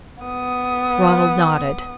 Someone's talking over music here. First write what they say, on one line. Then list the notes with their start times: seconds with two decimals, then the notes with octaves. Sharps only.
Ronald nodded.
0.23 B3 D#6